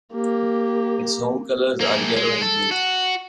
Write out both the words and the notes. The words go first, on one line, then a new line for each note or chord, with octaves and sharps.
Its home colors are yellow and blue.
A#3 G4
A#3 G#4
G#3
A4
F#4